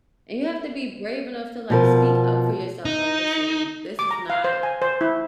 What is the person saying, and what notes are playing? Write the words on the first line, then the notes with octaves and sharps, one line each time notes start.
and you have to be brave enough to, like, speak up for yourself, like, "Listen, this is not
B2 F3 A#4
D#4
D6
A#5
F5
C5
G#5
C5
E4